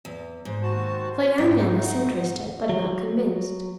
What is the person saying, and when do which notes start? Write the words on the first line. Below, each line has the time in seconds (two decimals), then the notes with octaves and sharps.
The young man was interested, but not convinced.
0.05 E2
0.45 G#2 C5
0.63 D#2 F#4 A5
1.38 G#2 A3 D#4 G5
1.83 F#5
2.69 F#3